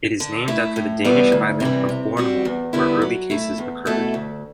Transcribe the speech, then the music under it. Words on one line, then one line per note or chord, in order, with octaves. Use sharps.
It is named after the Danish island of Bornholm where early cases occurred.
D3
A3 E4
A2
E3 G3 B3
D2
C3 E3 G3
C3
G3 C4 F#4
E2
D3 G3 B3 E4
F#3
A3 E4
E2
B2 A3 E4 A4
D2